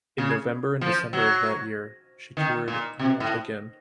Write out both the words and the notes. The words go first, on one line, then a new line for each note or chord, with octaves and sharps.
In November and December of that year, she toured Europe again.
C#3
F3
F#3
D#3
A#2
C3
A2